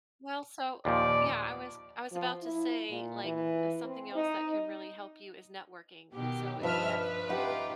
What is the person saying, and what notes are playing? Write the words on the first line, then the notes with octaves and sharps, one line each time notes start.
Well, so Yeah, I was I was about to say, like, w uh, something else that can really help you is networking, so, if you have
D#2 A#2 F3 D5
F3
E4
A#2
E3
C4
D#4
B2 D#3 G4
G2 F3 B4 D#5 E5 F6
B4
C#4 D#4 F4 G4 E5 F#5